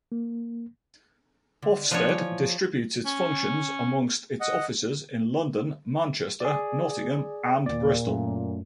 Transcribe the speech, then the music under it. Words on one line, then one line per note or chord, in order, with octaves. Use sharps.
Ofsted distributes its functions amongst its offices in London, Manchester, Nottingham, and Bristol.
A#3
D3
F3 B3 C#4 D4 C#5
E3
C#4
D#5 F#5
G#4 D5
D#2 A#2 D5
F#2 A3